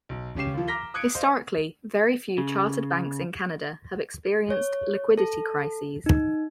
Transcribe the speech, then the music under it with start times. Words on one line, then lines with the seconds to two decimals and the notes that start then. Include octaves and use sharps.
Historically, very few chartered banks in Canada have experienced liquidity crises.
0.09 B1
0.36 C#2 C#4 G4 C7 E7
0.54 D#2 F3
0.68 A#5 D6 F6 A#6 B6 G7
0.94 D#6 F#6 G#6 C#7 D7
1.15 C5 D#5 F5
2.38 C#3
4.50 C#5
5.18 A4
6.06 D#4